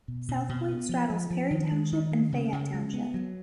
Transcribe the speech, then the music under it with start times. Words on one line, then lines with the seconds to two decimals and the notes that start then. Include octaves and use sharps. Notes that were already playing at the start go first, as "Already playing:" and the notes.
South Point straddles Perry Township and Fayette Township.
0.08 B2
0.28 B2
0.49 B2
0.69 B3
0.89 F3
1.10 F3
1.30 F3
1.51 D#3
1.71 G#3
1.92 D#3
2.12 G#3
2.32 C#3
2.52 C#3
2.74 G#3
2.94 B3
3.14 F#3